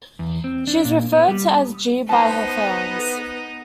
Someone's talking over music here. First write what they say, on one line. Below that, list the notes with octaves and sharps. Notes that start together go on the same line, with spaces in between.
She is referred to as "Jee" by her fans.
E2
C4
D4
A#2
B3
G3
B3 D#4 C5 A5